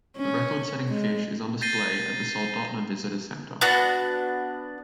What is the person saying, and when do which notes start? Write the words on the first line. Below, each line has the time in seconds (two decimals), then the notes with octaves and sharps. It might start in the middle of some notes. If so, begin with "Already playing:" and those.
The record-setting fish is on display at the Soldotna Visitor Center.
0.17 C#4
0.89 G#3
1.61 G6 A6 A#6 C7 D#7 G7
3.61 B3 D4 F#4